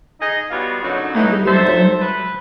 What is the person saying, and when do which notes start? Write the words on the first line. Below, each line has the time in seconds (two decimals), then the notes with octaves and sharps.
I believe them.
0.20 D#4 G#4 D#5
0.51 G3 B3 F4 F#4 C#5 F5
0.82 F#2 D3 F#3 D#4 F#4
1.15 E3 F#3 B3 D#4
1.46 D#3 D4 A4 C5 E5
2.01 B4